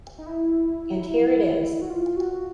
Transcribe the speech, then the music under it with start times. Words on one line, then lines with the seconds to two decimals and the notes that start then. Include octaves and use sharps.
And here it is.
0.18 D#4
0.26 E4
1.82 F#4
1.90 F4
2.17 F#4